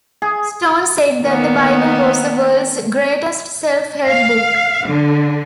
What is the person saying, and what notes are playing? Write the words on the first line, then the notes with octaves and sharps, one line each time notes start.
Stone said that the Bible was "the world's greatest self-help book".
G#4
D#3 A#3 B3
F5
D3